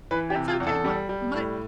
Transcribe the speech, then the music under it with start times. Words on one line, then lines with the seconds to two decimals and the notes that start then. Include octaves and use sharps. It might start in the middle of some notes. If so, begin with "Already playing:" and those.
That's okay. My my m
0.11 E3 B4
0.30 G4
0.35 C3
0.48 F4
0.60 E2
0.67 A4
0.84 G3
1.09 G3
1.34 A2